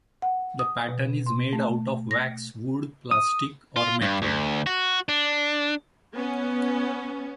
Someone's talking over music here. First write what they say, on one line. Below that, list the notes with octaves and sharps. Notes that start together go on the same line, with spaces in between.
The pattern is made out of wax, wood, plastic, or metal.
F#5
D#6
B2
C6
A3
A#6
D#6
F4
G2
D2
F#4
D4
B3 C#4